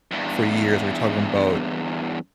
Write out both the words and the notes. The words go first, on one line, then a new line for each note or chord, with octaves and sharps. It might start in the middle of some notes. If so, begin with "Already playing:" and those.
for years, we're talking 'bout
E2 G2